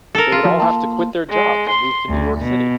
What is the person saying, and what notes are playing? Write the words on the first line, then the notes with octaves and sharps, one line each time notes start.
They would all have to quit their jobs and move to New York City.
A4 A#4
F4
F3 F#4
A#3 A5
G#3
C6
D2
B2